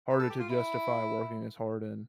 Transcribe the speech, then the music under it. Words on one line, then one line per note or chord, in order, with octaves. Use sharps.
harder to justify working as hard in
B4
A4
G4
F4
E4